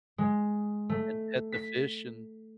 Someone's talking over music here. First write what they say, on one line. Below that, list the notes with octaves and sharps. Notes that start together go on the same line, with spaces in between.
and pet the fish and
G#3
A3
B6